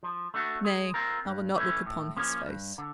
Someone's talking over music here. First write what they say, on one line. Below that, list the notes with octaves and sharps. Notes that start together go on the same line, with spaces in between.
Nay, I will not look upon his face.
F3
A3 D4 F#4
G#3
C4 F4 A#4
G2
E3 A3 C#4
A2
F3 A#3 C#4
G2
D3